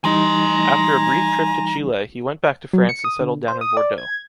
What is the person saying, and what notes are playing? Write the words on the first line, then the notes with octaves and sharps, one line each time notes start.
After a brief trip to Chile he went back to France and settled down in Bordeaux.
E3 G3 D#4 G#5 A#5 C6
F#3
C#7
D#6
D3
C5
D#6
D5
G#6